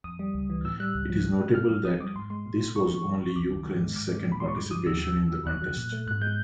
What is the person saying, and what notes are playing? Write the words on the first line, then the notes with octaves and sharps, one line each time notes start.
It is notable that this was only Ukraine's second participation in the contest.
F2 D#6
G3
C#2
E3
A2 E6
G3 F#6
C#2
F3
A2
G#3
F#2 F6
F#3
F2 D#6
G3 D6
G#2 C6
G#3 C6
A#2
A3
F2 C#6
F3
F2
F3
C#2 D6
D#3
G#2
G#3
G#2 D6
G#3
A#2
B5
G#3 C6
C#6
G2 D6
F3 D#6
D#2 E6
F3
E2
F#3
F2 F#6
F#3
A#2
A3
G#2 F#6
G#3 G6